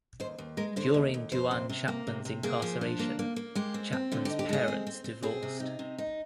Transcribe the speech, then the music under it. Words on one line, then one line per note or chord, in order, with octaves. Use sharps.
During Duane Chapman's incarceration, Chapman's parents divorced.
D#2 C5
D#2
G#3 A#4
D3 C5
D#2
D#2
F2 C5
C3
C3
A#3
C3
C3
A#3 G#4
F3
D4
A#3
A#3
A#3
G#3 G4
C4
C4
D3 F4
G4
D#4
G4
G#3 G#4
C4
C4
C4
C4 G#4
C3
D#4
C3
D#4